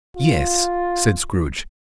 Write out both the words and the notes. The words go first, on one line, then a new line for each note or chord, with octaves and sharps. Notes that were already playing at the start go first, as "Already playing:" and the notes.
"Yes," said Scrooge.
F4